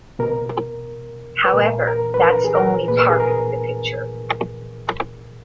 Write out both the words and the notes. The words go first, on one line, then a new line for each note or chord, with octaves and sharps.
However, that's only part of the picture.
B2 A#4
B4
A#2 A#4
A#4
B4
A#4
G#4
A#4
A#2 B4
A#4
G#4
A#4